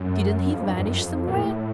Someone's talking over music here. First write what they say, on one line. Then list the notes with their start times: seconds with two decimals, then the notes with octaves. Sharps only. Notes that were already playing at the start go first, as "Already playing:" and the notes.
"Didn't he vanish somewhere?"
Already playing: F#2
0.49 F2
0.63 G2
0.77 F2
0.86 F#2
0.94 F2
1.27 A#2
1.35 A2